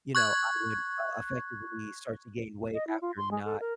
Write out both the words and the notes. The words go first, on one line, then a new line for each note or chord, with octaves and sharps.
you know, I would, uh, effectively start to gain weight after not
C#6 F#6 G#6
D#5
E4
F4
C6
G#3
A4
A#4